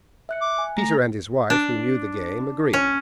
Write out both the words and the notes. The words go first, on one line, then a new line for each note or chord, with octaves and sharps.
Peter and his wife, who knew the game, agreed.
E5 F#6 C#7
D6
G#5
A3 A#5
D4
C#4